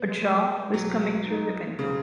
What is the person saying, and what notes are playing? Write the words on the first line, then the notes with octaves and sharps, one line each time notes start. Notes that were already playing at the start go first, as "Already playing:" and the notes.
A draught was coming through the window.
Already playing: B3
G#3
G#3
F#3
G#3
F#3
D#4
C#3